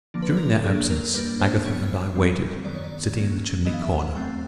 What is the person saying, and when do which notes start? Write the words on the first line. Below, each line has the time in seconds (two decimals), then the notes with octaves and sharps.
During their absence Agatha and I waited, sitting in the chimney corner.
0.14 D3 F3 A#3 D4
0.22 B4
0.37 A#4
0.50 A4
0.64 F#3 A#3 D4 G#4
0.90 A#4
1.14 G3 A#3 D4 B4
1.40 C5
1.64 F#3 B3 D4 C#5
2.15 E3 G3 C4
2.65 D#3 F#3 B3 D5
2.75 C#5
2.84 D5
3.16 F#3 A#3 C#4
3.65 E3 G#3 B3 D4 D#5
3.74 F5
3.83 E5
3.99 F#5
4.15 F#3 A3 C4 G5